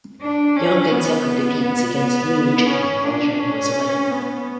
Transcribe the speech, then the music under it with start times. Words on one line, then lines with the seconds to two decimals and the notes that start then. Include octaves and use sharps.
Yong had suffered defeats against Liu Chen while Zhang was away.
0.21 D4
0.56 C#4
0.91 B3
1.63 B3
1.97 B3
2.69 C#4
3.05 D4
3.40 C#4
4.11 B3